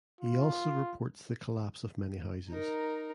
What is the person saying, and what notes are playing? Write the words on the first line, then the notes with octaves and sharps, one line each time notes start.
He also reports the collapse of many houses.
F4
D#4 A#4